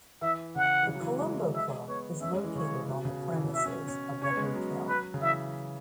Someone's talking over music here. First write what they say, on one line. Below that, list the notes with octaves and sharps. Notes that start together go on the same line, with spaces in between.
The Colombo Club is located on the premises of the hotel.
E3 E5
C#3 F#5
E3
C#3
F#3
E3
G#3
F#3
G#3
E5
B3 C#5
C#4 E5
G#3
E3
C#3 C#5
B2
C#3
B2
E3
B2
C#3
B2 E5
C#4
C#4
C#4 C#5
B3
G#3
B3
F#3
B4
C#3
E3 E5